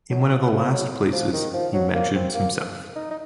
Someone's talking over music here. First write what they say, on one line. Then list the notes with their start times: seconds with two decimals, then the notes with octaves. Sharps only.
In one of the last places, he mentions himself.
0.11 F#3
0.32 F3
0.51 F3
0.72 F#3
1.12 F3
1.33 D#3
1.54 F3
1.73 F#3
1.94 A#3
2.14 C4
2.34 A#3
2.95 D#4
3.11 D#4